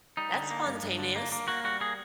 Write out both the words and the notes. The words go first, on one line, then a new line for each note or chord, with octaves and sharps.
that's spontaneous.
G3 D#4
D3
A#3
G2
G2
D3
A#3
A#3
A#3 F#4
G3 F#4
A#3 G#4